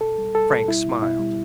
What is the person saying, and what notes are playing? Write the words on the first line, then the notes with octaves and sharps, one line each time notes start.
Frank smiled.
B2 A4
G3
G3 A4
B2
G3 E4
B2
B2 E4
G3